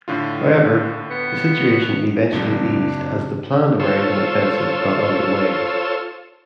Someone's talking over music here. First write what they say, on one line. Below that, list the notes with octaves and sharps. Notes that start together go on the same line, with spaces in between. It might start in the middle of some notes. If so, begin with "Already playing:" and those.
However, the situation eventually eased as the planned American offensive got underway.
A2 D3 F4
B3
F#1 F2 A#2 D4
F4 A4 C5 C#5 E6